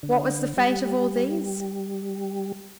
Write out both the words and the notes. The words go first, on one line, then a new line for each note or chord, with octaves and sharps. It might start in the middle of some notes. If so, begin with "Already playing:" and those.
What was the fate of all these?
D3
G3